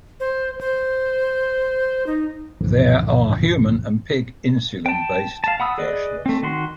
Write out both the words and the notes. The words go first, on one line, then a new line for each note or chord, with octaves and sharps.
There are human and pig insulin based versions.
C5
C5
D#4
C#2 G2 A#2 D3 E3 F3
G5 A5
F5 A5
F#5 B5 D#6 E6
G#4 B4 D5 D#5
A3 C4
D#3 F#4 C6